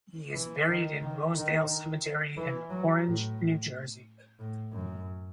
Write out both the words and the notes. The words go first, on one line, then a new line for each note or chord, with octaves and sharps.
He is buried in Rosedale Cemetery in Orange, New Jersey.
E3
D#3
D#3
D#3
E3
F#3
A2
A2
F#2